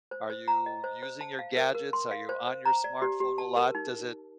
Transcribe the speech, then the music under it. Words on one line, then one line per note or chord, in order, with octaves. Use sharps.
are you using your gadgets? Are you on your smartphone a lot? Does it
C5
C5
A#5
D#5
C5
C5
A5
F5
A#4
A#4
C6
F5
C5
C5
A#5
D5
G4
G4
A5
A#4
D#4